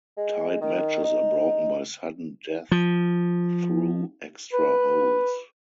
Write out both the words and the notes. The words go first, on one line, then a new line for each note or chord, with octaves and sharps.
Tied matches are broken by sudden death through extra holes.
G#3
D#3
D#4
F3
B4